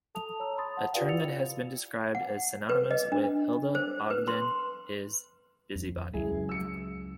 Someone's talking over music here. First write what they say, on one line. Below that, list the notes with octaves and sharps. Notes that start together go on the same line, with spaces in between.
A term that has been described as synonymous with Hilda Ogden is "busybody".
A4 A5 D#6 F7
C#5 A#5 E6
A5 B5 C6 D#6 A6
F#5
F4 G4 B4 D5 F5 G5
E4 E6 A6 C#7 F7
F#5
B4
D#5
D4
C5
B4
C6
F2
C#2 F#3 G#3 E4 G#4
E6 C#7